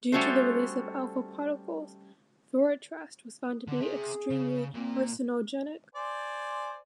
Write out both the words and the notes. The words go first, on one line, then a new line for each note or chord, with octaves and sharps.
Due to the release of alpha particles, Thorotrast was found to be extremely carcinogenic.
G3 A3 C#4 F#4 A4 C5
D3
C4 G#4 E5
C#3
A#2 A#3 C4
C5 D5 G#5